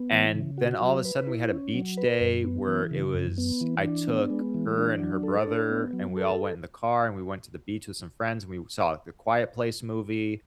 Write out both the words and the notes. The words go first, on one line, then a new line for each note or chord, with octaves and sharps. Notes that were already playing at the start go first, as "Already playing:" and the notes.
and then all of a sudden we had a beach day where it was, I took her and her brother, and we all went in the car, and we went to the beach with some friends, and we saw The Quiet Place movie,
Already playing: B3
E3
C#3
F#4
F#3
B4
E4
C#4
F#3
B4
F#2
B3
E3
C#3
F#2
B3
E3
D4
B3
G#3
E3
D4
F#3
A4
D4
B3
F#3
A4